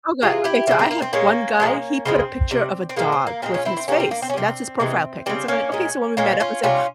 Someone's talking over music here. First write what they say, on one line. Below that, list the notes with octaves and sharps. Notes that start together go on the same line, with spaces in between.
Oh god, okay, so I had one guy, he put a picture of a dog with his face. That's his profile pic, and so I'm like, "okay," so when we met up, I said,
C3 E3 G#3 F4 G#4
E4 G4
C#3 G3 C4 E4
C4
A#3
C4
A#2 G#3 A#3 C#4
A#2 F3 G#3
C#3 F3 G#3 C4
C3 G3
C4
A#2 F3 G#3 A#3
C4
A#3
A#2 F3 G#3 C4
C#4 F4
C4 E4
C4
C3 E3 G3 A#3 C#4
C4
A#3
C4
C#4
C3 E3 G3 C4
C3 E3 G#3
C#3 G3 C4
A#3 C#4
A#2 G#3
A#2 G#3 A#3 C#4
C#4 F4
C3 G3 C#4 F4